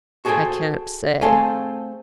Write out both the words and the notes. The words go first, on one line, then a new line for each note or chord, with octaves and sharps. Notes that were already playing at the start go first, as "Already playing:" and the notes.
"I can't say."
F#4 G#4 A4 C5 G5 G#5
A3 C4 G#4 A4 F5 G#5